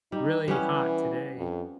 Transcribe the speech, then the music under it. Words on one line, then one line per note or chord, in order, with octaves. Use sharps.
really hot today
G3 D#4
E3 G3 B3 C#4
F2